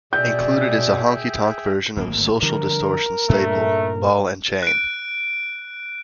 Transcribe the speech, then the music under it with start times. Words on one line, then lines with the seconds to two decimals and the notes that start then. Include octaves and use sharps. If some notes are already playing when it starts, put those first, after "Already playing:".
Included is a honky tonk version of Social Distortion staple, "Ball and Chain".
0.13 B2 G#4 D5 E5 G5 G6
1.97 D1 G#1 A#3
2.42 D3 F3 G3 A#4
3.29 G2 A#2 A3 D4
4.63 F#6 D7